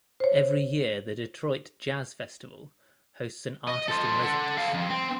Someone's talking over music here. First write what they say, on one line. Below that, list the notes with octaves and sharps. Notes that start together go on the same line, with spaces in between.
Every year the Detroit Jazz Festival hosts an Artist in Residence.
C5 C#5
D#5
A4 C5
A4 F#5
A4 F5
F2
C4